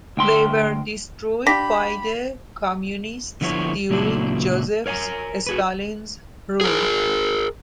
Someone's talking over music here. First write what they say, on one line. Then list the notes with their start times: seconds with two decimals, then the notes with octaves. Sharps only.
They were destroyed by the Communists during Joseph Stalin's rule.
0.17 D2 G5 C6
1.47 D4 F4 G4 B5 A#6 B6
3.41 D3 F3 B3 E4 C#5
3.90 C#2 A#2 F#3 D4 E4
4.86 A#4 C#5 F5 G#5 A#5
5.47 F#4 G#4 B4
6.61 G#4 A#4